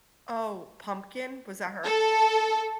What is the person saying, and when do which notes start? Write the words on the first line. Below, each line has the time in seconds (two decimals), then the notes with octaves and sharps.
Oh, Pumpkin? Was that her?
1.84 A4